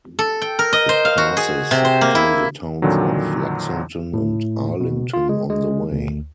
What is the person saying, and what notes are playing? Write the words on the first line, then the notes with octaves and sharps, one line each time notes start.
It passes through the towns of Lexington and Arlington on the way.
A4
G5
A#4
D#5
C5
F5
F#4
G#4
C3
C5
A#3
E4
F2 A#2 D3 D#3 F#3
A2
B2
F4
G#3
G#3
D2